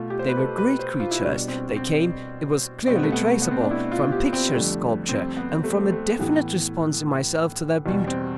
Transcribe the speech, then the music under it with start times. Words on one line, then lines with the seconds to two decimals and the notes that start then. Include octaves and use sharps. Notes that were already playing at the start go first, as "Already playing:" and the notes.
They were great creatures. They came, it was clearly traceable, from pictures sculpture--and from a definite response in myself to their beauty.
Already playing: B2 A3 F4
0.10 G4
0.19 C5
0.29 B4
0.37 A4
0.58 B4
0.79 C5
1.00 F4
1.11 E4
1.20 B2 G3 D4
1.48 C4
1.76 C4
2.87 B2 G3 C4
2.96 B3
3.03 A3
3.12 B3
3.42 B3
3.51 C4
3.61 D4
3.71 E4
3.92 F4
4.12 G4
4.33 C4
4.54 F2 D3 G3 A3
5.09 C4
5.37 B3
5.64 A3
5.92 A3
6.19 A2 E3 A3 B3
7.86 E2 B2 G3
8.07 C4